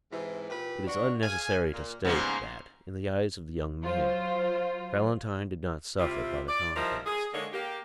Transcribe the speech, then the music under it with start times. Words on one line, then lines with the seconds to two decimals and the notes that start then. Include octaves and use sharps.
It is unnecessary to state that, in the eyes of the young man, Valentine did not suffer by the contrast.
0.12 G#2 C3 E3
0.50 A#2 G4 B4
0.87 F#3 D4 F#4
1.23 G#4 F5 G#5
1.73 A#2
2.05 G#2 C#3 G3 A#3 B3
3.83 F#3 F4 C5
5.99 C3 G3 E4 F4
6.49 D5
6.76 F3 G3 D#4 E4 A#4
7.06 G#4
7.34 D3 G#3 A#3 D#4 C#5
7.53 A#3 G4